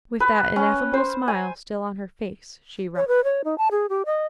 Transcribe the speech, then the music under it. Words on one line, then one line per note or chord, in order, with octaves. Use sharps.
With that ineffable smile still on her face, she rocked....
B4
C#4
C5
G#5
C#5
B4
C#5
D#4
A5
G#4
G4
D#5